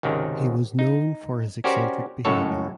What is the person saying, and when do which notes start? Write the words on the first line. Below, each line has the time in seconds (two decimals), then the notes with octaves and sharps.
He was known for his eccentric behavior.
0.03 G#1 C#2 C3 D#3
0.79 D#4
1.64 C#4 F#4 G4 A#4 C5 D5
2.25 C#2 F#2 A2 A4 C#5